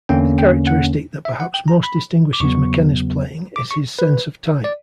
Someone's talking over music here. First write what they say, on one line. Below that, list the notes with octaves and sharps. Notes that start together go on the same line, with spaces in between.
The characteristic that perhaps most distinguishes McKenna's playing is his sense of time.
E2 D3 A#3 C#4 G5
G5
F#5
E5
F#5
G5
A#5
B5
D6
E2 C#3 F#3 B3 C#6
D6
C#6
B4
D5